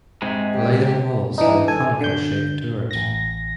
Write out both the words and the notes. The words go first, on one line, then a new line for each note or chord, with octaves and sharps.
Later models had a conical-shaped turret.
G#2 C3 G#3
G4
E3 D4 D#4
A4 G#5
D3 G6
A1 A#6